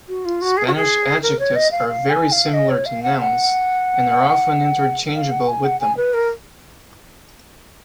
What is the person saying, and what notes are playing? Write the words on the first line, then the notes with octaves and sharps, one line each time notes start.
Spanish adjectives are very similar to nouns and are often interchangeable with them.
F#4
F4
F#4
G#4
F#4
G#4
A#4
C#5
D#5
F5
F5
G#5
F5
D#5
C#5
F5
F#5
F#5
F5
F#5
G#5
F#5
G#5
B4
A#4